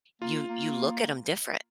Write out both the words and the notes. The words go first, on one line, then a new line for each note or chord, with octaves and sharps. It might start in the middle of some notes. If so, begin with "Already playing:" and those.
you you look at him different.
A#3 F4
A#3